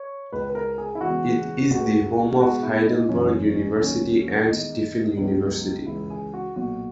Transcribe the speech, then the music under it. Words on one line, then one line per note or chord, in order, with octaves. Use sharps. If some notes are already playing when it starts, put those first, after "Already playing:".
It is the home of Heidelberg University and Tiffin University.
Already playing: C#5
C#2 C#3 G#3 B4
B4
A#4
G#4
E4
E2 C#3 E3 G#3 F#4
C#2 C#3 G#3 F#4
E2 B2 G#3 F#4
E4
D#4
F#1 F#2 E3 G#3 C#4
D#2 D#3 F#3 C#4
E2 D#3 G#3 D#4
C#2 B2 F#3
C#2 C#3 E3 G#3 E4
G#4
F#4
B1 A#2 F#3 F#4